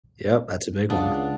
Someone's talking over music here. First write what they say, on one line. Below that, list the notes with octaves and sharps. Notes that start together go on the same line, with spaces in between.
Yep, that's a big one.
C#2 D4 F5 F#5 D#6